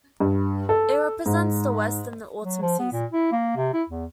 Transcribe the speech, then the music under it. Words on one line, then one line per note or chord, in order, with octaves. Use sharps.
It represents the west and the autumn season.
G2
A4
G#2
F#3
F3
B3
A#2
E4
A#3
C3
E4
E2